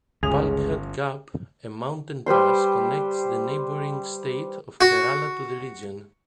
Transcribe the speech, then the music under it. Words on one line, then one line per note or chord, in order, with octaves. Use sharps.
Palghat Gap, a mountain pass connects the neighbouring state of Kerala to the region.
G1 C#2 C#4 G#4 F7
G3 B4 C5 C6
F#4